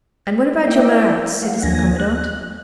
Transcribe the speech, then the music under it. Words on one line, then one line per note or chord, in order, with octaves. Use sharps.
"And what about your Marats, citizen commandant?"
A#3 E4 D5 E5 G5
A3 F5 F#5
D#2 F3 A#3 D4 G#5 A#6
F#6